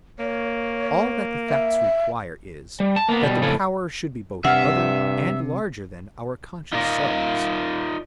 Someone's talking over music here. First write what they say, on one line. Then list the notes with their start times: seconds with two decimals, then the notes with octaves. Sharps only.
All that the facts require is that the power should be both other and larger than our conscious selves.
0.19 A#3 C#5
1.49 E5
2.80 G3
2.96 A5
3.09 A#3 B3
3.22 B2 G3
3.42 F2 A2 C#3 C#4 A4 B4
4.45 G2 C3 E5 F#5 F6
6.73 D#4 F4 A#4 D5 D#5